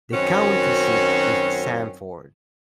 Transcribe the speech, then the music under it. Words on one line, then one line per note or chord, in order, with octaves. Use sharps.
The county seat is Sanford.
F#2 D#3 C4 C#4 F#4